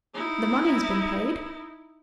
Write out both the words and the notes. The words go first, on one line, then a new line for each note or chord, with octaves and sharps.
The money has been paid.
D#4 E4